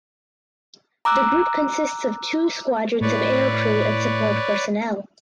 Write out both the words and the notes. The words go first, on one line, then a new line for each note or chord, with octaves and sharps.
The group consists of two squadrons of aircrew and support personnel.
A#5 D6 E6 F#6
A2 B4 C#5 D5